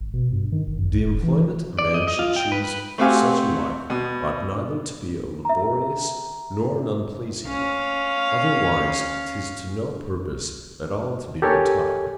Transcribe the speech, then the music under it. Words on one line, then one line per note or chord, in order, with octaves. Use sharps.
The employment a man should choose for such a life ought neither to be a laborious nor an unpleasing one; otherwise 'tis to no purpose at all to be retired.
G#1
B2
G2
D#3
G1
F#2
B1
E1
E3
D5
D#5
D#5
F4
G5
B4
B4
A3 C4 F#4 G4 F5 G#5
B2
E5 A#5
C#4 F5
G4 A4 A#4 C#5 G#5